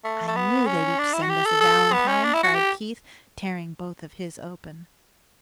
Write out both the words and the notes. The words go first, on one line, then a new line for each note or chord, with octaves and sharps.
"I knew they'd each send us a valentine," cried Keith, tearing both of his open.
A3
A3
B3
C#4
D4
E4
F#4
G4
A4
A4
B3
C#4
D4
E4
F#4
G4